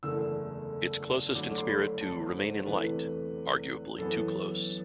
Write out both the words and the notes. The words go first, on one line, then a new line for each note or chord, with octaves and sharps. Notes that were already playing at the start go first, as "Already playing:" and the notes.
It's closest in spirit to Remain in Light - arguably too close.
F#1 E2 D3 A3 E6
G1 G2 D3 F#3 A3 D6
C6
B5
A5
C5
E2 C3 E3 A3 B4
F#2 E3 B3 A4